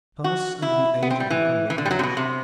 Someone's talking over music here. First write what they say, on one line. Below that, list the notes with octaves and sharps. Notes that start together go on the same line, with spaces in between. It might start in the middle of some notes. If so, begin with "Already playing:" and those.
Pass under the aged and crumbling arch.
F#4
E4
B3
C4
G3
E3
E3
D3
G3
F#3
C3
B2
C3